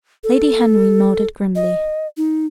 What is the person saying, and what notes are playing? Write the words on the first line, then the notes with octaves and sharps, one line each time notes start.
Lady Henry nodded grimly.
A4
D#5
D#4